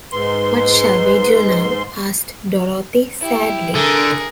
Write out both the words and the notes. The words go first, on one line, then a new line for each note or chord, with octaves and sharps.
What shall we do now? asked Dorothy, sadly.
G#2 B4 C6
E4 G4
D3 G#4 A#4